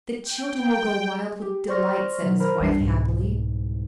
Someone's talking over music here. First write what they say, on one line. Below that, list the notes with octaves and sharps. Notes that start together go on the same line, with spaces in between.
"The children will go wild with delight," said his wife happily.
G5
G4
C5 D5 C6 C#6 F6 A#6
B2 D#3 F#3
A#4 C5 A#5 B5 F6
A1 E2 G3 D4 C7
C2 G#2 B2